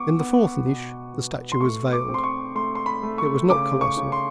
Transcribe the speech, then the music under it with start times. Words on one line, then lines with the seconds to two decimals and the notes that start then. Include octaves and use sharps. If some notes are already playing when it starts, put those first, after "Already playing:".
In the fourth niche the statue was veiled; it was not colossal.
Already playing: B3 C#6 D6
0.20 B3
0.66 B2
1.14 B2
1.52 C6
1.61 A3 C#6
1.93 D6
2.08 C4
2.14 C6
2.24 C#6
2.55 A3 C6
2.75 C6
2.86 B5
3.03 A3
3.18 C#6
3.50 C#3 D6
3.81 C#6
3.97 C#3
4.12 C6